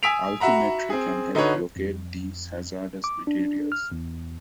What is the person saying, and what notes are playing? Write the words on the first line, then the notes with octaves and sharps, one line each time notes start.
Altimetry can help locate these hazardous materials.
G#5 D#6 E6 B6 D7 F7
F#4 E5 F#5 A#5 B5
C4 G#4
D3 D#4 F#4 B4 C#5
F2
D6
D4
F6
E2